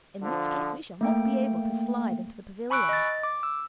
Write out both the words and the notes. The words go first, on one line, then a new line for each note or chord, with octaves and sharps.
In which case we shall not be able to slide into the pavilion.'
D3 F3
A3 A#3 G5
G#5 B5 C#6 E6 F#6 D7
D#5 A6
D6
E6